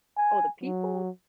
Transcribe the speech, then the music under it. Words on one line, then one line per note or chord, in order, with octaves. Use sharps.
Oh, the people?
G#5
F#3